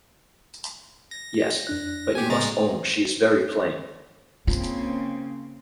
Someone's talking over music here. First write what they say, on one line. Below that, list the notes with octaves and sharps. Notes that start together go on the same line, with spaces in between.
Yes; but you must own she is very plain.
A#6
F2 D4 F#6
G4 G#5
A2 C#3 G#3 B3 A#5 A6
C#3 A#3 C4 F4